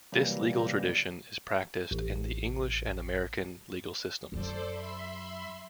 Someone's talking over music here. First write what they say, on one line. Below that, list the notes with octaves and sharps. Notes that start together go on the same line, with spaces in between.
This legal tradition is practiced in the English and American legal systems.
C3 E3 F#3 G3 A#3
A1
F#2 F#3 A4 C5 D5
E5 B5 C6